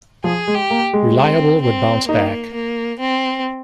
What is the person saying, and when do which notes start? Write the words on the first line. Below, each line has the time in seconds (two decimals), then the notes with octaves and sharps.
Reliable would bounce back.
0.24 F3 G#4
0.47 G#3
0.55 G4
0.70 A#3
0.93 G#3
1.16 C4
1.62 C4
2.08 A#3 D#4
2.54 A#3
3.00 C4